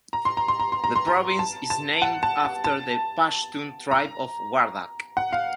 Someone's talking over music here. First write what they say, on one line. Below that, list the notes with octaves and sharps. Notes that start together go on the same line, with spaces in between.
The province is named after the Pashtun tribe of Wardak.
A#5
C6
A#5
C6
A#5
C6
A#5
C6
A#5
A5
A5
F#5
A5
A5
A5
A#5
F#5
F5